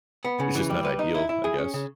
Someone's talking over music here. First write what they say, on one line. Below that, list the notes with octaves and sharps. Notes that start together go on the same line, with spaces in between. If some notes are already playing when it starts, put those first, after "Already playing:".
it's just not ideal, I guess.
B3
C#3
E3
G3
B4
D#4
E4
E4
G#4
C#4
C#3